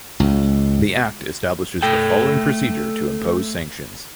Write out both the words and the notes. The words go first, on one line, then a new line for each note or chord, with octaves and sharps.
The act establishes the following procedure to impose sanctions.
C#2
A3 A4 G5